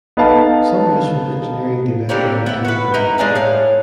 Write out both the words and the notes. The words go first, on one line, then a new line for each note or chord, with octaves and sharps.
Some useful engineering data were obtained from the flight.
B3 D#4 A4 B4 F5 A5
D3 G3 A#3 C4
B3 E4
F#4 B4
D#4 E4 A#4 B4
G#3 D4 G#4 F5
A2 F5